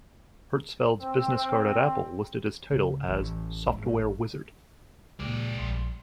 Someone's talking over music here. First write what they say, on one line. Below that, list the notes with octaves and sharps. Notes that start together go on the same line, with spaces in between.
Hertzfeld's business card at Apple listed his title as "Software Wizard".
C4
C#2
A1
G#1
C#2 A#2 G#3 D5
A#1 C6